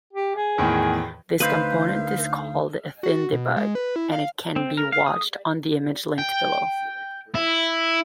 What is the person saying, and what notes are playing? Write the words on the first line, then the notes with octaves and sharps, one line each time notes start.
This component is called thinDebug and can be watched on the image linked below.
G4
G#4
E2 A2 D#3
D2 D#4 B4 C5 F5
F#4
B2
G#3
B4
E4
F5
C4
A#4
F5
D#6
G5
E4